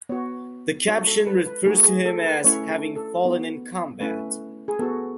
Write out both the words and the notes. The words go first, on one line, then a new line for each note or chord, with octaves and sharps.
The caption refers to him as having "fallen in combat".
B3 F#4 C#5
G#3 D#4 F#4 C#5
A4
B4
B4
A3 D#4 F#4 G#4
G#4
A4
B4
A3 C#4 E4 C#5
A4
A4
B3 D#4 F#4
A3 C#4 E4 B4
G#4
B3 F#4 A4